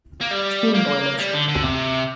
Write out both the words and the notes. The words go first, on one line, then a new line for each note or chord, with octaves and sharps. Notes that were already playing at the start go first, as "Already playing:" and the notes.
Steam boilers.
A#3
G3
A#3
G3
D3
D3
C3